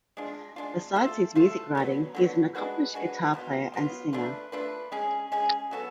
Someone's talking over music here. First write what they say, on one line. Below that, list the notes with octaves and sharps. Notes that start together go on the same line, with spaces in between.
Besides his music writing, he is an accomplished guitar player and singer.
G#3 D4 F4
G#3 D4 F4
A3 F4 A4
A3 F4 A4
D3 F#3 B3
D3 F#3 B3
G#3 D4 F#4 B4
G#3 D4 F#4 B4
B2 F#3 B3 F4
B2 F#3 B3 F4
A3 D4 F4 B4
A3 D4 F4 B4
G#3 C#4 G#4
G#3 C#4 G#4
F#3 B3 F#4 A4